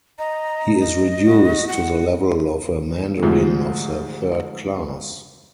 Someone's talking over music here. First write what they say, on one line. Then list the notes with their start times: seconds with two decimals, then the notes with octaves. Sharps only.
He is reduced to the level of a mandarin of the third class.
0.19 D#5 A#5
0.80 D#5
1.24 F#4
1.69 F#5
3.22 D2 G#2 C3 F3